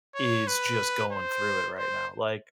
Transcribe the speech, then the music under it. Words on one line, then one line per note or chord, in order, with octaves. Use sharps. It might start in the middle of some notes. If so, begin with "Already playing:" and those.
is just going through it right now, like
C#5
B4
C5
C5